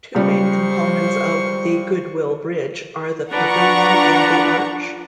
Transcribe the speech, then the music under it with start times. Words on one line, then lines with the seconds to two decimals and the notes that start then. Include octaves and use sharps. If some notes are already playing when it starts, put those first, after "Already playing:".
Two main components of The Goodwill Bridge are the pavilion and the arch.
0.15 C#2 G3 C5 C#6
3.31 F3 D4 B4 D5 F#5 A#5 C#6